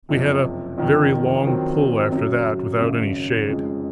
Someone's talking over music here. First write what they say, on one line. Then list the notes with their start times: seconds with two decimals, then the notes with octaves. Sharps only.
We had a very long pull, after that, without any shade.
0.09 F#1 F2 C3
0.77 F#1 F2 D#3
1.44 F2 D#3 F#3 C4
2.12 F#2 C#3 F#3
2.80 G#1 F#2 C#3
3.48 F1 F2 C#3 G#3